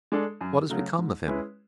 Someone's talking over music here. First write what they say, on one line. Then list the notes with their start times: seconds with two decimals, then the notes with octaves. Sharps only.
What has become of him?
0.12 G#3 D4 A4
0.41 F#2
0.70 C#3 F#3 A3
0.99 G#2
1.27 G#3 C#4 E4 B4